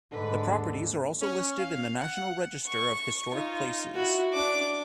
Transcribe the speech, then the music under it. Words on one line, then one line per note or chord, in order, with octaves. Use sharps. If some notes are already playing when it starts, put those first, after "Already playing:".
The properties are also listed in the National Register of Historic Places.
G#2 D3 G#3 B4
D#2
C#4
F5
F#5
C#6
D#4 F4
E4 F#4
D4 D6